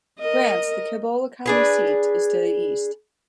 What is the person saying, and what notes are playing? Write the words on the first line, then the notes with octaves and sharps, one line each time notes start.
Grants, the Cibola County seat, is to the east.
A#4 D#5
D4 G#4 B4